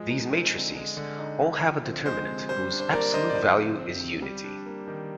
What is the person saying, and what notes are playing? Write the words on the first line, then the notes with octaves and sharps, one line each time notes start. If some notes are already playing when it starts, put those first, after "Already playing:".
These matrices all have a determinant whose absolute value is unity.
Already playing: F3 G#3
D#4
C4
D3
G#3
D3
D#4
D3
F3
C4
G#3 C5
C3
G3 C5
D4
C5
A#3 A#4 D5
D3 C5 D#5
D5
F3 C5
C3
C4
C3
G3
D4
A#3
D#3